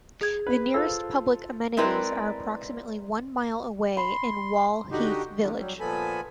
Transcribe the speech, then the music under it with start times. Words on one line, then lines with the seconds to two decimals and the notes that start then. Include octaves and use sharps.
The nearest public amenities are approximately one mile away in Wall Heath village.
0.21 G#4 G#6
0.47 B4
0.74 F4 A4 C5 E6
1.77 G#3 C4 E4 A#4 B4 D5
3.97 B5 C6
4.92 D3 D#4 F#4 G4
5.40 E2 D3
5.59 F#3 G3
5.80 A#2 F3 B3 A4 G#5 B5